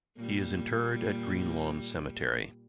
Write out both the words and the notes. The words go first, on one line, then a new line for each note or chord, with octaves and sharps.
He is interred at Greenlawn Cemetery.
A#2 G3